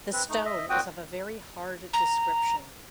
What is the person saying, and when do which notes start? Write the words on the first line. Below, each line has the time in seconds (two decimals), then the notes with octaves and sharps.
The stone is of a very hard description.
0.13 C4 B4
0.29 A3 D#4
0.45 D#5 E5
0.70 A#2 C4 F#4 G5 D#6
1.93 A#5